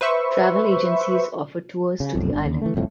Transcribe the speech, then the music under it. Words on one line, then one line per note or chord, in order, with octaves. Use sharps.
Travel agencies offer tours to the island.
B4 C5 E5 C#6
C#3
F1 B1 F2
G1 D4
D#2
E3 A3
D#1 C2 F2 A2